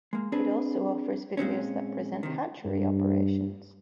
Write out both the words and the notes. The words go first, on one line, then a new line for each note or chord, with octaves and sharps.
It also offers videos that present hatchery operations.
G#3 A#3
C4 D4 G#4 B4
A#2 G#3 C4 C#4
C3 D#3
G2